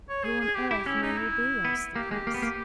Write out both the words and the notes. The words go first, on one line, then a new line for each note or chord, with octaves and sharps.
"Who on earth may you be?" asked the Prince.
C#5
G#4
G#4
G4
E4 G4
C#4 E4
D#4
E4
B3
A#3 G4
G#3 G4
A#3
B3
A#3